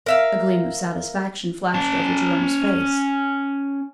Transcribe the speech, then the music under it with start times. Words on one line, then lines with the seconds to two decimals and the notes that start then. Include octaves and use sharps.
A gleam of satisfaction flashed over Jerome's face.
0.06 A#4 E5 F5
1.74 C#4 A5